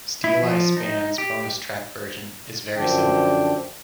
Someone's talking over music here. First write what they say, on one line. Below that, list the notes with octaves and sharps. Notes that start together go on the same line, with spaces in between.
Steeleye Span's bonus track version is very similar.
E4
F3
D#4
G4
F#2 D3 F3 D4 G5